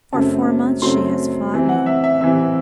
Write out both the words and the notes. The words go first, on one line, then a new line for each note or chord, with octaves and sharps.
For four months she has fought me.
F#2 C#3 F#3 A3 C4 A5
F#2 C#3 F#3 A3 C4 C6
C3 E3 C4
F#5
E5
E5
C3 E3 C4 E5